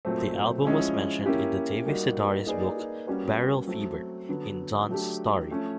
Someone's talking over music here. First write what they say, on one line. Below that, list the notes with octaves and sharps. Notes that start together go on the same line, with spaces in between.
The album was mentioned in the David Sedaris book "Barrel Fever", in "Don's Story".
A#2 F#3 A3 C4
F3 G#3 C#4 E4
A#3 C#4 E4 G4
G3 A#3 D#4 F#4
A#3 D#4 G#4 B4 D5
G3 A#3 C#4 F#4 B4
F#3 A3 C4
D3 F#3 B3
F#3 A3 D4 G4
F3 A3 C#4